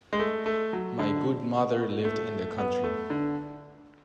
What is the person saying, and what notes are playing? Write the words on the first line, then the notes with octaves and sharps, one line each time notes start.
My good mother lived in the country.
G#3
A3
A3
F#3
D3
A3
B3
A3
D3